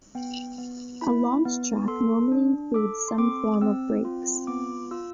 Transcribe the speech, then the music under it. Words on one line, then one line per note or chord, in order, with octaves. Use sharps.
A launch track normally includes some form of brakes.
B3 G5
B3
E4 B5
B3
A4 C6
D4
A4 D6
C6
C4 D6
C4 E6
F4
B3 D6
F4 E6